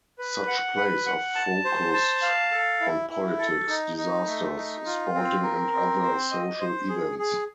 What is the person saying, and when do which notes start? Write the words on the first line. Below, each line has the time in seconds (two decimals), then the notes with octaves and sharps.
Such plays are focused on politics, disasters, sporting and other social events.
0.19 B4
0.47 F#5
0.77 B4
1.06 F#5
1.35 A5
1.65 C5
1.93 A5
2.22 F5
2.51 A4
2.81 E4
3.10 E4
3.38 A4
3.69 D#4
3.97 D#4
4.27 A3
4.56 D#4
4.86 F4
5.15 C4
5.43 A#4
5.72 C4
6.02 C5
6.31 D#5
6.60 C5
6.89 G#4
7.19 G#4